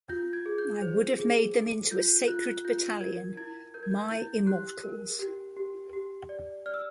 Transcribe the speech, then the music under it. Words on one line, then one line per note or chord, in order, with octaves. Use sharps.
I would have made them into a Sacred Battalion--my Immortals.
F4 G6
G#6
G#4
G6
C5
G#4
A4
F4 G6
F4 F#6
F4 G6
A#4 G#6
E4 G#6
A#4 G6
G#6
G6
E4 G6
G4 F#6
A#4
G4
G4
G4
D5
D5 F6
E6